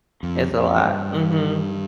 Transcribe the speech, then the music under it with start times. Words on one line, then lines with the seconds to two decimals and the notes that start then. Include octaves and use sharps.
It's a lot. Mhm.
0.23 F2
0.52 F2
0.82 G2